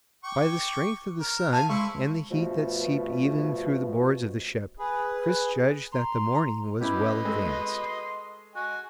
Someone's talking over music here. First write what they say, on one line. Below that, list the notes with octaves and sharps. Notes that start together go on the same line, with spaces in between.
By the strength of the sun and the heat that seeped even through the boards of the ship, Chris judged that the morning was well advanced.
G5 C#6 D6
A#4
F5 G#5 A5
G#3 E4 C5 C#6
G2 B2 F3 A3
G#4 B4
A#5 C6
B3 C#4 E4 G4 B4 D#5
G#3 A3 C4
C6
F#4 D#5 G#5